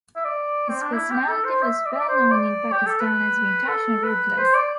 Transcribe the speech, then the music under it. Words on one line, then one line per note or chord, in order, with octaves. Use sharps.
His personality was well known in Pakistan as being tough and ruthless.
E5
D5
C4
D4
E4
G4
A4
C5
E5
D5
E5
D5
C5
D5
G4
A4
B4
A4
B4
C5
D5